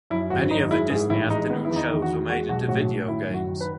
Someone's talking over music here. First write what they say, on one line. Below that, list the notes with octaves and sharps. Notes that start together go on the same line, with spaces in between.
Many of The Disney Afternoon shows were made into video games.
F#2 E4
G#1 F#4
F#2 D#4
G#3 E4
G#2 G#4
A1 E4
G#3 D#4
D#3 B3
E4
E2
D#4
D#3
F#4
E2
G#3 F#4
B1 F#4
A2 F#4
A2
D#3 E4
F#2
F#4
D#3
B4